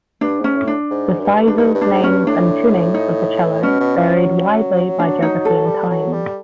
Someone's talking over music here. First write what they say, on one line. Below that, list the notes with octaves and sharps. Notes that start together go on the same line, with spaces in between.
The sizes, names, and tunings of the cello varied widely by geography and time.
G2 D4
G#2
C#4
A2
D4
G#2
F#2
G2
D4
G2 D#4
G2
D4
G#2
C#4
G2
A2 D4
D#4
B2 C#4
B2
E3
F#3
D4
D#4
A4
G3
F#3
G3